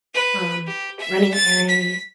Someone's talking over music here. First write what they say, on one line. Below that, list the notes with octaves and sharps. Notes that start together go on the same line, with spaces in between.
Um, running errands
B4
G4
E5
A6
B6